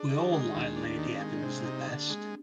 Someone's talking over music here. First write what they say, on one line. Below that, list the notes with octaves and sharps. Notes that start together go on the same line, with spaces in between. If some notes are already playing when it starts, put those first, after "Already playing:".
We all liked Lady Evans the best.
Already playing: D4 G#4
D#3
G4
G#3
D4
D#2
A#3 D4
D#3
C4
G#3
D4
C3
D#4
D3
G#3